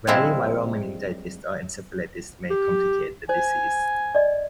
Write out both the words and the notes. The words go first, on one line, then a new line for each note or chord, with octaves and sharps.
Rarely viral meningitis or encephalitis may complicate the disease.
F3 G3 G#3 C4 E4
G4
C5 G#5
D5 D#5